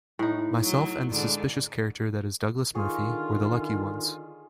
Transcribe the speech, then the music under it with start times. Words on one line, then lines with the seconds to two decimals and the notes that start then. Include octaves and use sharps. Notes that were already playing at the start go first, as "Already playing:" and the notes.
Myself and the suspicious character that is Douglas Murphy were the lucky ones.
0.19 A2 D#4
0.63 F#3
1.11 G#2 D3
2.75 D3 D#3 F4 G#4 C#5